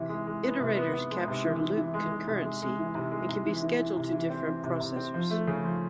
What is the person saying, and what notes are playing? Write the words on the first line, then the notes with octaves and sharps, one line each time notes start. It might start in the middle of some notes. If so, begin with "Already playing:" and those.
Iterators capture loop concurrency and can be scheduled to different processors.
Already playing: C3 E3
G#3
G#3
B3
C3
B3
B3
G#3
C3
E3
E3
E3
G#3
G#3
C3
G#3
G#3
E3
C3
G#3
C3
E3
E3
E3
C3
E3
C4
E3
C3
C3
C4
F3
A3
C#3
F3